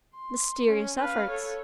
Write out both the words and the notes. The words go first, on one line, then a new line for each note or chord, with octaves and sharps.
Mysterious efforts!
C6
C#4
B4 F5
A4 C#5